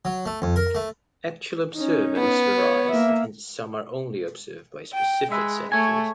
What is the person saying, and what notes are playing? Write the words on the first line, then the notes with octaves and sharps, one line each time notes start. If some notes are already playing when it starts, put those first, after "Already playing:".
Actual observance varies, and some are only observed by specific sectors.
F#3
A3
F2
A#4
A3
C#4 D#4
B3
C#5
A#3 E5
G5
G#3 B4 E5
A3 C#5 G#5